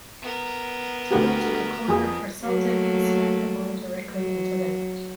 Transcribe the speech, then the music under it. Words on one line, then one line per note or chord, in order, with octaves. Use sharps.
Tully took a corner for Celtic and swung the ball directly into the net.
B3 A#4
D2 A3 G4
F2 G#4 D#6
F#3 A3 A#3
F#3